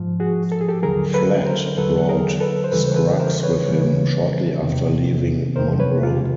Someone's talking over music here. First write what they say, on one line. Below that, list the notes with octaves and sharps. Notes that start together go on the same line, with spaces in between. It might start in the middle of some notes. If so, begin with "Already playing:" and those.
Flatt brought Scruggs with him shortly after leaving Monroe.
Already playing: G#2 F3
F#4 G#4
A4
G#4
G4 A4
D#2 D3 F#3 G#4 A#4
A4 B4
A#4 C5
D#2 D3 F#3 A4 B4
G#4 A#4
A4 B4
C5
D#2 C#3 E3 G3 A4 B4
C5
A4 B4
A#4 C5
B4 C#5
D#2 C#3 E3 G3
E2 C3 D#3
E2 C3 D#3 A#4 C5
B4 C#5
F4 G4